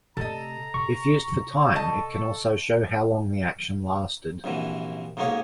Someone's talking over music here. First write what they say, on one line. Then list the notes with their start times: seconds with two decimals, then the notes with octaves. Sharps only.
If used for time, it can also show how long the action lasted.
0.17 C3 A3 A4 D#5 A#5
0.74 C3 C#6
1.75 A4 D#5 A5
4.44 A#1 F#2 C3 E3
5.17 B1 G#2 G#3 A#3 C#4 C#5